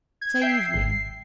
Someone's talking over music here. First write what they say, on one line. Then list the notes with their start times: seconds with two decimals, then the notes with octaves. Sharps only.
"Save me!"
0.21 G#6
0.42 E5 G5 C7
0.74 G#1